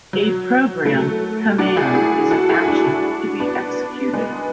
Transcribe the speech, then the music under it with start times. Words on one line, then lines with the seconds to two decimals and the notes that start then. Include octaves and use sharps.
A program command is an action to be executed.
0.13 F#3
0.85 F#3 A3
1.58 D4 F#4
1.76 E4 G#4
1.95 E4 G#4
2.31 F#4 A4
2.49 E4 G#4
2.68 D4 F#4
3.40 B3 D4
4.13 G#3 B3